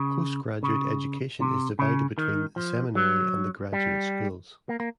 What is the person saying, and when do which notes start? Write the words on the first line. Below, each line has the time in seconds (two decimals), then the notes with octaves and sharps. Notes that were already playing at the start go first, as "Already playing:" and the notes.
Postgraduate education is divided between the seminary and the graduate schools.
Already playing: C#3
0.63 C#3
1.40 C3
1.79 C#3
2.18 D#3
2.56 F3
2.95 F#3
3.73 G3
4.69 A#3
4.80 A#3